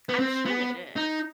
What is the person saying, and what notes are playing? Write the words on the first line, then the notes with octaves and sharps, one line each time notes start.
I'm sure it is.
B3
C4
B3
D#4